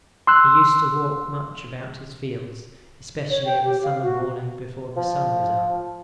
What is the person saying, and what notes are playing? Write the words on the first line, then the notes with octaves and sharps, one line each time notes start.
He used to walk much about his fields, especially of a summer morning before the sun was up.
C6 E6 F#6
C#5
G5
G4
F5
F#4
F3